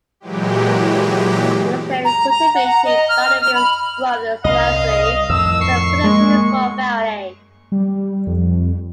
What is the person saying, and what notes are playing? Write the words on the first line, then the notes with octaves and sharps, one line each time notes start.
It was then cultivated by the Williams Brothers nursery as a potential export variety.
A#2 E3 F#3 G#3 G4
A#5
A#5
F#5
A#5
D#5
F6
F6
B5
C2 D#5 F5
F2 A2 D#3 E6
C#6 C7
G#3 A#3
G3
F2